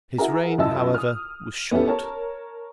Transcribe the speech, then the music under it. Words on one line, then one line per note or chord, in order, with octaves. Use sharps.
His reign, however, was short.
E4 F#4 G#4 A#4 A#5
C#2 F#2 E4 D#5 A5 E6
D#6 F6
B3 C#4 E4 G4 A4
A#4 C#5 A5